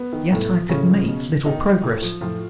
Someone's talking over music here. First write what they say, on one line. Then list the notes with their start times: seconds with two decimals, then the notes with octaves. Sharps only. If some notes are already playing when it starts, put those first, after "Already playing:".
Yet I could make little progress.
Already playing: B3
0.13 D#3
0.32 A2
0.51 F3
0.69 A2 C#3 C#4
0.89 F3
1.08 B2
1.46 B2 D#3 D#4
1.83 A2
2.02 F3
2.21 A2 F3 F4